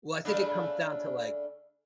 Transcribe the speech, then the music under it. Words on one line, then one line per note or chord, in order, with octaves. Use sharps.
Well, I think it comes down to, like,
C#3 A3 D4